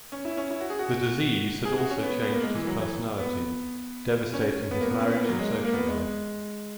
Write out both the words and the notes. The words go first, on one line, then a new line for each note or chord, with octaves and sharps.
The disease had also changed his personality, devastating his marriage and social life.
C#4
E4
C#4
E4
F#4
G#4
F#4
G#4
F#4
C#4
B3
B3
A#3
G#3
E3
F#3
E3
B3
C#4
B3
A#3
B3
C#4
B3
A#3
F#3
G#3
A#3
A#3
B3
G#3